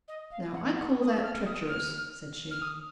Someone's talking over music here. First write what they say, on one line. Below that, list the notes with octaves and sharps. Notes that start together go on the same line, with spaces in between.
'Now, I call that treacherous,' said she.
D#5
F5
F#5
F#5
D#6
F6
D#6
F6
F6
D#6